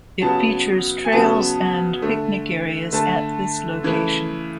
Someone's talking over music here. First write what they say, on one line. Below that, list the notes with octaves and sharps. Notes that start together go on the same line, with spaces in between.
It features trails and picnic areas at this location.
C#3 F#3 B3 A5
G#5
C#3 F#3 B3 A5
D3 A3
D3 A3 A5
C#3 E3 A3